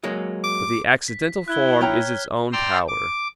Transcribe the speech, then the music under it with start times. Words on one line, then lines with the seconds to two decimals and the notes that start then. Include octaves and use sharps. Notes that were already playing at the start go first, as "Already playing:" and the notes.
But the accidental form is its own power.
0.03 F#3 G#3 A#3
0.44 D6
1.08 B6
1.48 E4 F#6 G#6 G7
1.81 C#5 G5 A#5 F6 F#6
2.53 D5 G5 A#5 C6 E6
2.88 D6